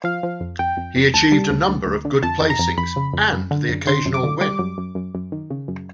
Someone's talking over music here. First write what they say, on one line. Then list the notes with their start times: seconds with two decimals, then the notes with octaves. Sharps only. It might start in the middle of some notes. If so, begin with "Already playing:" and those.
He achieved a number of good placings and the occasional win.
0.04 F3 F5
0.23 F3
0.41 F2
0.59 F2 G5
0.77 F2
0.96 F2
1.14 D2 A5
1.32 G3
1.50 D2
1.69 D2
1.86 D2
2.05 D3
2.23 F2 A5
2.41 F2
2.50 A#5
2.59 F2
2.78 F2 B5
2.96 C#3
3.13 F2
3.33 F#2
3.51 D3
3.68 F#2
3.87 D3 C6
4.05 F#2
4.14 D6
4.23 D3
4.41 G3 D6
4.59 F#2
4.78 F#2
4.95 F#2
5.15 F#2
5.32 D#3
5.50 C#3
5.68 F#2